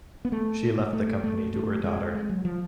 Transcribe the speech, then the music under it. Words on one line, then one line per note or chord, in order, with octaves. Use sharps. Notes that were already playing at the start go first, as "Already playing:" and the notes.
She left the company to her daughter.
B3
A3
A3
A3
A3
G#3
G#3
F#3
F3